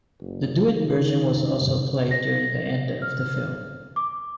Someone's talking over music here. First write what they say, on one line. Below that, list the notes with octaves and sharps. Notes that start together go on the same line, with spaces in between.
The duet version was also played during the end of the film.
F#1
D#3
A#6
F6
D6